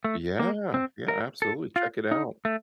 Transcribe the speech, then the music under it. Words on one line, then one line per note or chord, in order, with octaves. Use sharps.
Yeah, yeah, absolutely, check it out.
A3
A#3
C4
A#4
A4
F4
D#4
A3